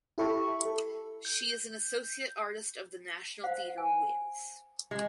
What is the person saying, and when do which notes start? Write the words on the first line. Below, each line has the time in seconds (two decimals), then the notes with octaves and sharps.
She is an associate artist of the National Theatre Wales.
0.18 E4 G4 A4 E5 B5 C#6
0.65 A4
1.25 G6
3.44 C5 F5 F#5
3.78 G#5
4.91 G#3